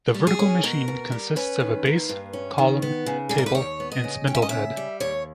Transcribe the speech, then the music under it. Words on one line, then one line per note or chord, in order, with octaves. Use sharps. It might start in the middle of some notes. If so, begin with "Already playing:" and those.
The vertical machine consists of a base, column, table, and spindle head.
G3
G#4
C#4
B2 A#4
B2
G3
C#4 B4
D#3
A#3
G2
C#4
D#3
B3
C#3
G3 G#4
A#4
B4
D#2 C#5
B3
D#5
C#3
C#4 G5
E5
D#5
C#3 E5
G3
D#2 C#5